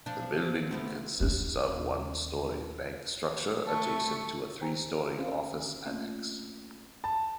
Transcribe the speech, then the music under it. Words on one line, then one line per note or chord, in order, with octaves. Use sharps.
The building consists of a one-story bank structure adjacent to a three-story office annex.
F3 D4
F3 A3 B3
D#2 C#4
A3 A4 C#6
C5 G5 G#5 A#5
C4 C#4 A#4 C5 F5
A3 A#3 C4 C#4 F4
A5